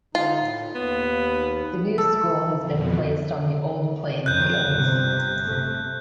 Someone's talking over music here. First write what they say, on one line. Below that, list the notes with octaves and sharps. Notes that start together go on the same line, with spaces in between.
The new school has been placed on the old playing fields.
D3 D#4 F4
A2
D#2 B3 B4
A4
F2 B2
F2 D#3 F#6 G6
G1 C3
C3 A3